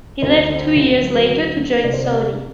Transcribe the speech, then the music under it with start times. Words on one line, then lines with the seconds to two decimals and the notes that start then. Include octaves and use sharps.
He left two years later to join Sony.
0.22 D2 C5
0.36 D5
0.50 D3 C5
0.77 D2
1.02 F#3
1.30 D2
1.57 D3
1.83 C2 D5
1.93 C5
2.05 D5
2.10 C3